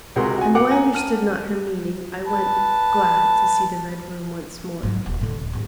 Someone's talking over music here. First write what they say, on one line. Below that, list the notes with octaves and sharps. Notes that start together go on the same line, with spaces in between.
And, though I understood not her meaning, I went, glad to see the Red Room once more.
C#2 C3 F#4 G#4 A#4 C6
F#4 G#5
F5 F#5 D6
F#5 G#5 A#5
A5 F6 D#7
B4 A5
G#2 F#3
D#1 F#3
A2 D3
D1
D#2 G#2